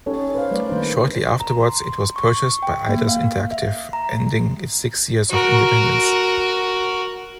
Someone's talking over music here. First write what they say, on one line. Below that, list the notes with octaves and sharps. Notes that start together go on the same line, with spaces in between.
Shortly afterwards, it was purchased by Eidos Interactive, ending its six years of independence.
C#4 D#4 G4 A4 C#5
B4 C5 F5
G3 A3 A#4 B4 D5
D#3 G3 A#3 D4 B4 C5
A#5
C6
C#6
G5
A#3
F5
E5
A#5
F#4 A#4